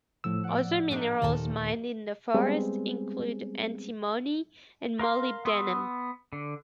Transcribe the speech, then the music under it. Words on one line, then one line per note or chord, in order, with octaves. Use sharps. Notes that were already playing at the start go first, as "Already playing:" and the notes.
Other minerals mined in the forest include antimony and molybdenum.
A2 F3 E6
D5 F#5
A3 D4 G4 D#5 A#5
D#2 A#2 A3 A5
G3 G#3 B3 C4 G#4
A#4 F5 C6 F6
B3 C6 D#6 E6
D3